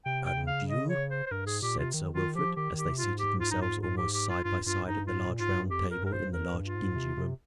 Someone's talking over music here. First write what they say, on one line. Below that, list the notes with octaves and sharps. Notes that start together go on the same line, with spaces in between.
"And you?" said Sir Wilfrid, as they seated themselves almost side by side at the large, round table in the large, dingy room.
C3 G5
G5
C#3
F5
D#5
C#5
C5
C5
G2 A#4
G#2 G#4
A#2 G4
C3 F4
D#3
D#3 F4
F3 G4
D#3 G4
D#3
G4
C3
F4
G#2
G4
F4
D#4
F4
F4
G4
G4
F4
G2 F4
G2 F4
G2 D#4
G#2 F4
A#2
G#2 F4
G2
F2 G4
A#4
G2 A#4
C5
F2 A#4
G2
F4
G#2
C3
C3